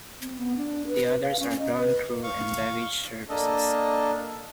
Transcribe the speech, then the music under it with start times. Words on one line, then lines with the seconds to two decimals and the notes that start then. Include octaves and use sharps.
The others are ground crew and baggage services.
0.21 C4
0.38 B3
0.56 D4
0.88 B4
1.22 F5
1.40 C#4
1.59 D#5
1.77 B4
2.23 F5 C#6
3.29 A#3 D4 A4 D#5